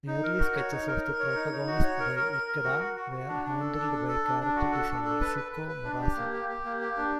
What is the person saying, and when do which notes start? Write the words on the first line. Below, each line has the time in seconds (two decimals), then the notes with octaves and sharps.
Early sketches of the protagonists by Ikeda were handled by character designer Shuko Murase.
0.07 D#4
0.23 A#4
0.39 F#4
0.55 C#5
0.72 D#4
0.87 A#4
1.04 A#4
1.19 C#5
1.35 D#4
1.52 D#4
1.68 F#4
1.83 C#5
2.00 A#4
2.16 A#4
2.32 A#4
2.47 A#4
2.64 F#4
2.80 F#4
2.96 F#4
3.12 F#4
3.28 D4
3.44 D4
3.60 A4
3.76 D4
3.92 A4
4.08 A4
4.24 D4
4.40 D4
4.56 F#4
4.72 A4
4.88 D4
5.04 A4
5.21 B4
5.37 B4
5.52 B4
5.68 B4
5.84 D4
6.01 G4
6.16 A#3
6.33 G4
6.49 G4
6.65 A#3
6.81 G4
6.97 D4